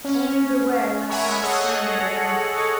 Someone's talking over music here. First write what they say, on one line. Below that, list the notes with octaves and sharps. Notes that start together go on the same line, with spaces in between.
Only beware lest thou try me overmuch.
C#4
A#4 C#5 E5 F#5 G#5 B5
G#4 A4 C#5 D#5 F#5